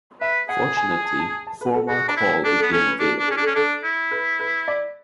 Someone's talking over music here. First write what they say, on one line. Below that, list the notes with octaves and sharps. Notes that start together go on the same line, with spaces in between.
Fortunately Foremarke Hall became available.
B4 E5
G#4 F#5
G#5
G#5
A5
A5
A5
B4
A4
F#4 G#4
D4
E4
D4 A4
A4
B3
C#4 A4
B4
D4 A4
D4
G#4
C#4
D4 A4
C#4
D4 A4
E4
B4
B4
D5